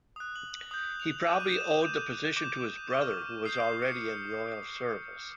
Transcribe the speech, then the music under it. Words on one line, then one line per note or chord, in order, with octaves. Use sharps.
He probably owed the position to his brother, who was already in royal service.
D#6 F#6
F#7
F#7
D#6 G6 F#7
F7
D6 F#6 D#7
D#7
E7
F7
D#6 G6
D6 G6 E7
C#6 F6
D#6 G6 C7
C7
C#7